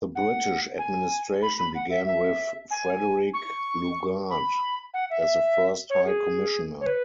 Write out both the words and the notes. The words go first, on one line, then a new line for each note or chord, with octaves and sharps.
The British Administration began with Frederick Lugard as the first High Commissioner.
F#5
G#5
B5
B5
F#5
E5
E5
G#5
C#6
B5
F#5
E5
C#5
G#4
C#5
B4